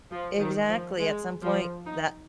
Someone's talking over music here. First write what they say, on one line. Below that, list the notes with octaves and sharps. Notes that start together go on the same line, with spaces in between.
exactly, at some point that
F3
D#3
F3
G#3
F3
D#4